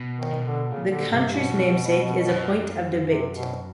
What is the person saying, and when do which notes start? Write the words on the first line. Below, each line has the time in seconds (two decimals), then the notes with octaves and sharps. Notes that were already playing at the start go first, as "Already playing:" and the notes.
The county's namesake is a point of debate.
Already playing: B2
0.18 D#3
0.31 B2
0.44 D3
0.70 A#2 C#3
0.91 D3
1.10 G2 C3
1.30 B2
1.50 F2
2.28 F#2
3.07 C3
3.34 B2